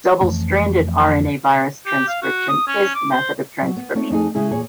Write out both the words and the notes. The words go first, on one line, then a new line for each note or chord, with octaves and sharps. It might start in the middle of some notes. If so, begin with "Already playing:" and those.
Double-stranded rna virus transcription is the method of transcription.
F2 E3 A3 C#4
G4
F5
F#4
D#6
C#4
D6
C5
F#3
B3
A3 C4 C#4 D#4 F4 C#5
F2 D#4 E4 G#4
C#3 G#3 E4 G#4
E2 A#2 G#4 C#5